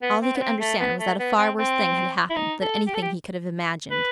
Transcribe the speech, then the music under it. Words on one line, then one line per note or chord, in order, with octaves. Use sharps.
All he could understand was that a far worse thing had happened than anything he could have imagined.
B3
C4
B3
C4
A3
B3
A3
B3
C4
C4
E4
D#4
A4
G4
A4
G4
B4